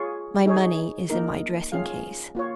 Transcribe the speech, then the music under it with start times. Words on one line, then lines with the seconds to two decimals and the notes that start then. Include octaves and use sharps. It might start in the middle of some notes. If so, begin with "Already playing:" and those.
My money is in my dressing-case.
Already playing: F4 G#4 C#5
0.46 D#4 G#4 C#5
1.10 A#3 D#4 A#4
1.72 C#4 F4 G#4 F5
2.35 A#3 F4 C#5